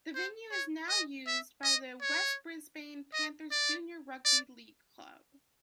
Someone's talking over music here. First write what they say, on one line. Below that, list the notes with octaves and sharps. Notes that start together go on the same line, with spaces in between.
The venue is now used by the West Brisbane Panthers Junior Rugby League Club.
C5
C#5
D#5
E5
D#5
C#5
D#5
D5
D5